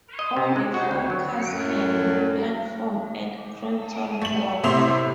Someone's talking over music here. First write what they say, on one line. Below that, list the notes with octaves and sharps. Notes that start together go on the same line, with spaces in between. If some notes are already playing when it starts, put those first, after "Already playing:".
Only four cars can platform at Croton Falls.
D#5
C3
G#3
F#4
D2
F#3
F#2 A2
A3 F#7
A2 C3 E5 C6 F7